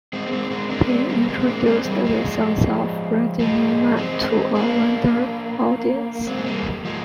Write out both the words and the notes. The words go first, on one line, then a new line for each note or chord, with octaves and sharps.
He introduced the songs of Randy Newman to a wider audience.
G#3 C4
A#3
G#3 C4
G#3 C4
A#3 D4
G#3 C4
G3 A#3
A#3
G#3 C4
C4
A#3 D4
G#3 C4
G3 A#3
F3 G#3
F3 G#3
G#3 C4
A#3 D4
G#3 C4
G#3
G3 A#3
F3 G#3